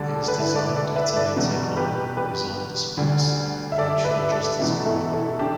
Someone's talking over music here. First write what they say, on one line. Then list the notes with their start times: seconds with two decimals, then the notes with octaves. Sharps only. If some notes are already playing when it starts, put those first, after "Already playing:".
It is designed to maintain order, resolve disputes, and ensure justice for all.
Already playing: D2 D3 G3 A4 D5
0.15 A4
0.28 B4
0.40 E4 A4
0.55 A4 D5
0.76 A4 D5
0.96 B4 E5
1.16 A4 D5
1.36 E2 B2 G3
1.77 G4 B4
2.17 G4 B4
2.97 D2 D3 G3
3.72 E5
3.78 A4 D5
4.05 B4 E5
4.32 A4 D5
4.59 E2 B2 A3 E4
4.85 E4 A4
5.13 E4 A4
5.39 D4 G4